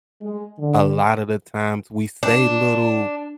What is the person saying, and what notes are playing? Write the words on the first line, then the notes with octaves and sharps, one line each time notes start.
a lot of the times, we say little
G#3
D3
D4